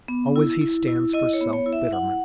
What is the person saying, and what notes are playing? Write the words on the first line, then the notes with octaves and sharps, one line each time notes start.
Always he stands for self-betterment.
B3
E4
E4
E4
E4 D#5
C#5
B3
C#5
E4
E5
E4 F#5